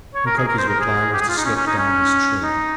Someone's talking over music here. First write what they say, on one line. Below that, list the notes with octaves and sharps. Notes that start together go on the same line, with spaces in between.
Mukoki's reply was to slip down his tree.
C#5
A#4
G#4
A#4
C5
A#4
G#4
G4
G#4
F4
D#4
C#4
C#4
D#4
C#4
D#4